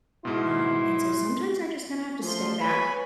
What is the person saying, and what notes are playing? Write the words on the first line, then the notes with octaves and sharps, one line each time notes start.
um, and so sometimes I just kinda have to step back
G#2 B2 E4 C6
F3 A3 C6
B4 C#5 G#5 B5